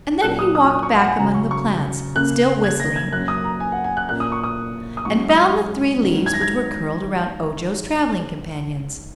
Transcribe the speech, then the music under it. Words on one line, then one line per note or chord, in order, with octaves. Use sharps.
And then he walked back among the plants, still whistling, and found the three leaves which were curled around Ojo's traveling companions.
A#2 F#3 C#4 F#6
D#6
D#6
D#6
C#6
F#5
G#5
C#3 F#3 C#4 A#5
C#6
C#6
C#3 A#3 C#4 F#6
G#6
A#6
G#6
F#2 F#3 A#3 C#4 F#6
D#6
A#5
G#5
F#5
G#5
F#6
A#2 A#3 C#4 F#6
D#6
C#6
D#6
D#6
G#2 F#3 C#4 C#6
D#6
G#2 D#3 F#3 C#4
G#6
A#6
G#6